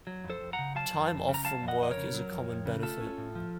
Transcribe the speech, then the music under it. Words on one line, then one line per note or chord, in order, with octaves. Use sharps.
Time off from work is a common benefit.
F#3
F2
A4 C5
F2
F#5 A#5
C#3
F#3 F5 A5
F2
F2
C#3
A#5
F#3 F5 A5
F2
D#5 F#5
F2 D#5
A#4 C#5
C#3
F#3
F2
F2
C#3
A3 F4 A4
C#4
A2
F3